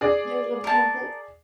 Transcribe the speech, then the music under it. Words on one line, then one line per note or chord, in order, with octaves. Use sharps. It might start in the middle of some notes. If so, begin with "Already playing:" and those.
those little pamphlets.
G#4 D5
A#4 A5